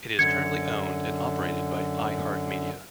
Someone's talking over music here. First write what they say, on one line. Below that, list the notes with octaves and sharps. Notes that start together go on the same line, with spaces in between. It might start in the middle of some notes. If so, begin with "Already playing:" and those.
It is currently owned and operated by iHeartMedia.
F#2 D3 G#6 C#7